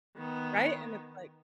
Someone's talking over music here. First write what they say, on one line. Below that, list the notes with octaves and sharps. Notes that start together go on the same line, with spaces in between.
Right? And it's like
D#3 B3